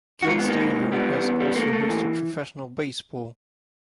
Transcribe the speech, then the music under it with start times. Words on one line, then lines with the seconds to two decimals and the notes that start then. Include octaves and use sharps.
Gill Stadium has also hosted professional baseball.
0.22 F#4
0.27 G#2 F3 F4
0.39 B3
0.44 D#3 A#3
0.60 G#2
0.76 G#2
0.92 G3 B3
1.09 E2
1.24 E2
1.40 G3
1.56 A3 A#3
1.73 A3
1.89 E3